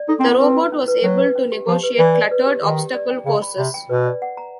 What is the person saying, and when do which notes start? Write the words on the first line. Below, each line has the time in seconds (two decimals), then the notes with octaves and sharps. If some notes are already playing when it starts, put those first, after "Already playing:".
The robot was able to negotiate cluttered obstacle courses.
Already playing: D5
0.08 D#4 A4
0.20 C4
0.24 E4
0.30 B3
0.40 C4 B4
0.56 E4
0.72 C#4
0.88 B4
1.04 F#3 C#4
1.19 B4
1.35 C#4
1.52 G4
1.67 F3 G4
1.83 B4
1.99 E3 D5
2.15 D5
2.31 B4
2.46 G4
2.63 D#3 G4
2.79 G4
2.94 D5
3.10 G5
3.26 C#3 G5
3.42 B5
3.58 C3 B5
3.74 G5
3.89 B2 B4
4.06 D5
4.22 F#5
4.37 A#5